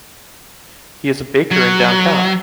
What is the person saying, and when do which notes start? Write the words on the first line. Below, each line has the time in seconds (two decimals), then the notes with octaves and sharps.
He is a baker in downtown.
1.52 F#3